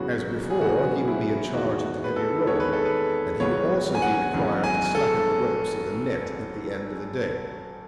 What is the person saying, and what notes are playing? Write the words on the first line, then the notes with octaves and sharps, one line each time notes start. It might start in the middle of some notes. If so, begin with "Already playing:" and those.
As before, he will be in charge of the heavy roller, and he will also be required to slacken the ropes of the net at the end of the day.
Already playing: G#1 F#2 C#3 E3 B3 F#4
G#4
G#1 F#2 C#3 E3 B3 F#4
E4
E2 D#3 G#3 B3 F#4
B4
A4
E2 D#3 G#3 B3 C#5
B4
A4
B4
G#1 F#2 C#3 E3 B3 C#5
G#5
F#5
G#1 F#2 C#3 E3 B3
G#5
A4